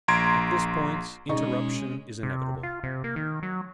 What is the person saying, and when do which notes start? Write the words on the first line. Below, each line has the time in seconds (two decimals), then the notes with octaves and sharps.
At this point, interruption is inevitable.
0.08 A#1 A#5 C6 G#6 D7
1.29 B2 G#3 C#4 D#4 G#4 D5 D#5 C#6
2.23 C3
2.63 F4
2.83 C3
3.04 A#3
3.16 D#3
3.43 F#3